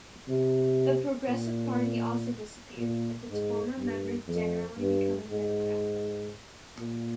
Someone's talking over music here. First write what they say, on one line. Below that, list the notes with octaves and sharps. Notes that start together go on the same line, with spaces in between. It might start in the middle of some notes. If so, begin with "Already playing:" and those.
The Progressive Party also disappeared, with its former members generally becoming Democrats.
C3
A#2
A#2
G#2
G2
F2
G2
G#2
A#2